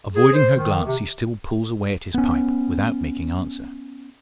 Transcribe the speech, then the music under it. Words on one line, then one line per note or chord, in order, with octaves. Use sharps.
Avoiding her glance, he still pulls away at his pipe, without making answer.
G#4
C5
D#3
C3
B3 C#4